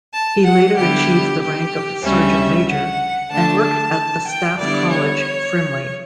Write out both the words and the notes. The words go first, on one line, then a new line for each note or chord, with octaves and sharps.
He later achieved the rank of Sergeant-Major, and worked at the Staff College, Frimley.
A5
F#5
D3 G3 B3 E4 G4
G4
D2 C#3 G3 C#4 E5
F#5
D3 A3 D4 A5
A5
G5
D3 G3 B3 E4 D5
C#5